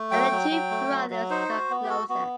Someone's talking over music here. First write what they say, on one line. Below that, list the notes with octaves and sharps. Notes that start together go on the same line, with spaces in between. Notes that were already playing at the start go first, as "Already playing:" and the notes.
And the two brothers got closer.
Already playing: A3
F#3 G5
F#3
F#3
A3
F#3
F#3
D#4 C5
F#4
B3
G4
F#4 A4
B3 F#4